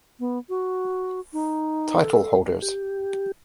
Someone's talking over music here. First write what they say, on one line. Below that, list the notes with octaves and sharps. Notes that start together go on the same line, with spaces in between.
Title holders.
B3
F#4
D#4
A4
G4